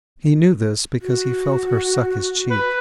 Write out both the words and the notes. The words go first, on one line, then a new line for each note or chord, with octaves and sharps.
He knew this because he felt her suck his cheek.
F#4
B4